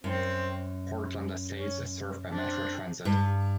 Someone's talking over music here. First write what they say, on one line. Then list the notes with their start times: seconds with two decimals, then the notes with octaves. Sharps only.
Portland Estates is served by Metro Transit.
0.04 F#2 C4
1.55 C#4
2.30 C4 D4
3.05 G2